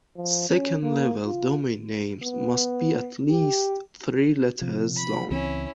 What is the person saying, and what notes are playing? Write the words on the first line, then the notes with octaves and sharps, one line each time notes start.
Second-level domain names must be at least three letters long.
F3
C#4
A#3
F4
B3
G4
C3 F3
B5
C#2 E3 C4 C#4 E4